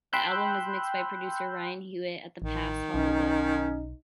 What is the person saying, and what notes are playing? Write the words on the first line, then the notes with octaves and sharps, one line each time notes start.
The album was mixed by Producer Ryan Hewitt at "The Pass", Hollywood.
G5 B5 C6 E6 F#6 G6
A1 D#3
B1 C#4 D#4